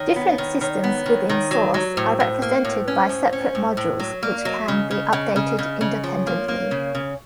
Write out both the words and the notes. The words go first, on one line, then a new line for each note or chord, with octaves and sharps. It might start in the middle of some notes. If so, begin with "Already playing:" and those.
Different systems within Source are represented by separate modules which can be updated independently.
Already playing: D#3 C#5
B3
D#3
D#3 C#5
D5
C#5
B3
D#3
D#3
F#3
F#3
A2 C5
A2
A#3
A2 C#5
C5
C#4 B4
C5
A2
C#4
A2
A2
F#3 C#5
A#3 D5
D5
F#3 D#5
E5
C#3 D#5
C#3
C#3
C#3
C#3
C#3
F3 C#5
A#3
A#3
C#3
C#3